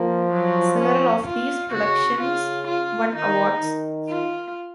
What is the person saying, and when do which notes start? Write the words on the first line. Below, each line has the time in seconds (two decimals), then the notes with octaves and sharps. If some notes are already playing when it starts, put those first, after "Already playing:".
Several of these productions won awards.
Already playing: F3 A#3
0.31 F#3
0.79 C#4
1.26 F4
1.73 C#3 F#4
2.20 C#3 F4
2.67 F4
3.15 D#3 D#4
3.62 D#3
4.09 F4